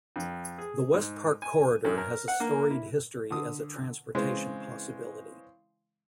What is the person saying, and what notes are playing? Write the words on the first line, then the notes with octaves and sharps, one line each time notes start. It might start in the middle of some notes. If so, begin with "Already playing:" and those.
The Westpark corridor has a storied history as a transportation possibility.
F2
G#4
G#2
G#5
F#2
A#4
F#5
A#3
E4
D3 D#6
C#3 E3 G#3 C4